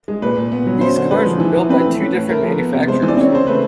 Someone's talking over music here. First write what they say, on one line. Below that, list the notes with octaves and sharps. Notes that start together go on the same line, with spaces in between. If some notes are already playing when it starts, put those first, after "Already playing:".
These cars were built by two different manufacturers.
G#3
A#2 B4
A#2
B3
F#3
C#4 C5
D3
G#3 B4
F3
E3
E3
C4 B4
A3
C#4
A2
A3 A#4
F3
B3
C3
G#3 C5
E3
D5
C4 C#5
C#3 C5
A3 B4